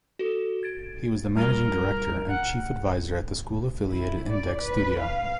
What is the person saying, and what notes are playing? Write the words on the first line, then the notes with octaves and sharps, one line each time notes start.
He was the managing director and chief advisor at the school-affiliated Indeks Studio.
F#4 A4
G#6 A6 D7
G3 F4 A#4 G7
F#5
E4
D5
B4
F5